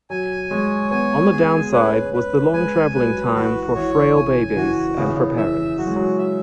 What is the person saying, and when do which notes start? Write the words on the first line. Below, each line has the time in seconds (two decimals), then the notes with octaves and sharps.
On the downside was the long travelling time for frail babies and for parents.
0.10 F#3 G#5
0.50 G#3 C#5
0.91 B3 G#5
1.32 G#4
1.73 C#4 B4
2.13 B4
2.53 G#3 G#5
2.94 F#3 B4
3.35 E3 F#4
3.75 E3 C#5
4.16 C#3 G#5
4.56 E3 F#4
4.96 C#3 B3
5.07 E3
5.17 C#3
5.37 E3 E5
5.78 F#3 F#4
5.87 G#3
5.96 F#3
6.19 E5